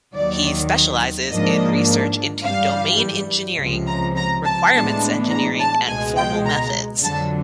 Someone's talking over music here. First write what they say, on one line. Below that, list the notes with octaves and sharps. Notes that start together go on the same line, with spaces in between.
He specializes in research into domain engineering, requirements engineering and formal methods.
D#2 D#3 F#3 D5
G#2 F3 A#3 D4 D#5
G2 E3 G3 F5
C#2 C3 F3
A#5
A#5
A5
A2 E3 G#3 B3 D4 A5
A#5
A5
C#2 B2 G#3 G#5
G5
A#5
F2 D3 F#3 A5